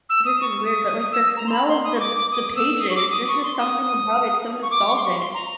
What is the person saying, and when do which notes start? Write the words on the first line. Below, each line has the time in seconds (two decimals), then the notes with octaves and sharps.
this is weird, but, like, the smell of the the pages, there's just something about it, it's so nostalgic.
0.09 E6
0.25 D#6
0.41 C#6
0.64 D#6
0.88 D#6
1.12 E6
1.36 A#5
1.46 C6
1.52 B5
1.68 C6
1.84 D#6
1.95 C#6
1.99 D6
2.16 D6
2.32 D#6
2.50 D#6
2.56 E6
2.79 D#6
2.89 C#6
2.95 D6
3.11 D#6
3.27 C#6
3.43 C6
3.59 D#6
4.62 C#6
4.70 D6
4.86 C#6
4.96 C6
5.03 C#6
5.18 C6
5.34 A#5